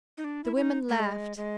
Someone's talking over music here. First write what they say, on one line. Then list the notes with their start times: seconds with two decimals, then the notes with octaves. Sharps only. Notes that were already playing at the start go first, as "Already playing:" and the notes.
The women laughed.
0.18 D#4
0.24 D4
0.44 E4
0.56 E4
0.62 D#4
0.89 A3
1.00 G#3
1.37 G#3